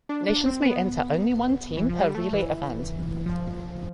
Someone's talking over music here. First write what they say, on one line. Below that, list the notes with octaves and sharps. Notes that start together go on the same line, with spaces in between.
Nations may enter only one team per relay event.
D4
D4
C4
B3
E3
F3
G3
A3
E3
F3